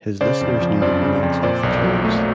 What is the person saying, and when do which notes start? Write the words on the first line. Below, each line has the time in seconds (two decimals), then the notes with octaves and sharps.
His listeners knew the meanings of the terms.
0.21 C#3 C5 D5
0.41 F2
0.61 F3
0.82 F2 C5 D5
1.03 C#3
1.23 F2
1.43 A#2 C5 D5
1.63 B1
1.84 F#3
2.05 A3